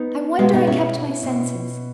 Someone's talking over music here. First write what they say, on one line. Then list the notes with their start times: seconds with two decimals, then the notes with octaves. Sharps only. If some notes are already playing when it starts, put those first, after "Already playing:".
I wonder I kept my senses.
Already playing: B3 D#4
0.39 B2 G#3 B3
0.54 B3 D#4
0.67 C#4 E4
1.23 B2